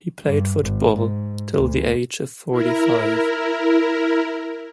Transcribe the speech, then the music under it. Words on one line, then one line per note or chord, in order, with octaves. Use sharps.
He played football till the age of forty-five.
G2
G#1
G#2
D2
E4 A#4